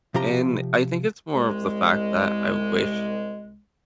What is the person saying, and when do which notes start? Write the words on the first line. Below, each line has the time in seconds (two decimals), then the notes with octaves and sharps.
And I think it's more of the fact that I wish
0.14 C3 F3 G4 A#5
1.35 C2 G#3